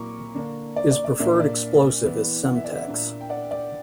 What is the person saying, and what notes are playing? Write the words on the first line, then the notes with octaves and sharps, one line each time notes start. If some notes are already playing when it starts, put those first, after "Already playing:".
His preferred explosive is Semtex.
Already playing: A#2 F#3 A#3 E4 A#5 C#6 D6
D3 A#3 D4
D5
D5
D5
A#2 A#3 D4 E5
D5
E3 B3 E4
F#5
E5
D5
E5
A#2 A#3 D4
G5
D5 F#5
D5